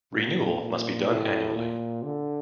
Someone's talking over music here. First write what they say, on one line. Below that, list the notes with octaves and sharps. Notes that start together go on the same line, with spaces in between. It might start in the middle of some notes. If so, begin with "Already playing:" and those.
Renewal must be done annually.
A#2
A#2
A2
A#2
D3